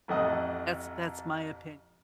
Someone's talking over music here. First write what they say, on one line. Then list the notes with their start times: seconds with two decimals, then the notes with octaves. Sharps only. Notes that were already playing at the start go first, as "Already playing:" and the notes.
that's that's my opin
0.08 A1 F2 A3 D#5 F#5 D#6